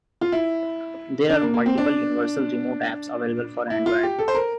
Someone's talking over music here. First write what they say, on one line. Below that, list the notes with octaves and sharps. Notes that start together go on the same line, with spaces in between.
There are multiple universal remote apps available for Android.
F4
E4
D4
A#3
A#3
C4
D4
E4
F4
G4
A4
C5
A#4